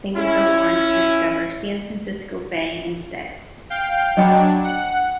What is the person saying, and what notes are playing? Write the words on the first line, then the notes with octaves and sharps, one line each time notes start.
They would go on to discover San Francisco Bay instead.
C#4 E4
F5 G5
F#3 D4 D#5 G5 B5
F#5